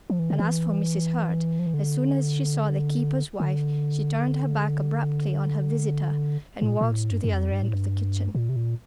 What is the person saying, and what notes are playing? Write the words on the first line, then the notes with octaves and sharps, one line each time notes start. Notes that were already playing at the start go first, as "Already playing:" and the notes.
And as for Mrs. Hurd, as soon as she saw the keeper's wife, she turned her back abruptly on her visitor, and walked to the other end of the kitchen.
F3
E3
D3
E3
F3
E3
D3
D3
A2
A#2
A#2
A2
G2
G2
F2
G2
A2
G2
A#2
C3
A#2